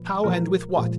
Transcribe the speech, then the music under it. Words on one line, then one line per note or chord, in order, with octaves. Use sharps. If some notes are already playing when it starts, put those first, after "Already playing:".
How, and with what?
Already playing: A#2 F3 B4
A#2 F3 G#3 A#4
A#2 F3 G#3